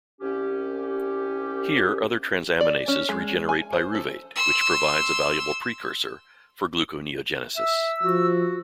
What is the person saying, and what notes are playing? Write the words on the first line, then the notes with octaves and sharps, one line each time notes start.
Here other transaminases regenerate pyruvate, which provides a valuable precursor for gluconeogenesis.
C2 C#4 G4
D5
C#4
G#3
G#5
C5
A4
C6 E6
E5 E6
F3 F#4